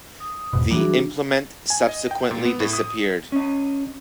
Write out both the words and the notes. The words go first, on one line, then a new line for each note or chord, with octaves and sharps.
The implement subsequently disappeared.
D#6
E2 G#2 B2
E3 F#3 G3 D4 F#4 G#4
G#5
D#5
G5
A#2
B3
A2
D#6
C#4 D#5